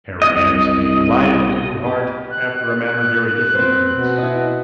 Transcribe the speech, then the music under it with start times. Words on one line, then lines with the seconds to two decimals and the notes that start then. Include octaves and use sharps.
Harry Annesley glided into her heart after a manner very different from this.
0.22 C2 D#5
1.86 G4
2.31 F#6
3.55 C4 B4 C5
3.89 B2
4.18 E4 D#5